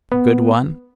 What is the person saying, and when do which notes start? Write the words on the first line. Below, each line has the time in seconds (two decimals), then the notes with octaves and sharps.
A good one?
0.12 B3